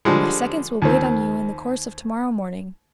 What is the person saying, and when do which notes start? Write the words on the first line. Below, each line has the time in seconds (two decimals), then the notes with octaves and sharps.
My seconds will wait on you in the course of to-morrow morning.
0.05 D3 F3 G3 G#3
0.82 D#2 D#3 C4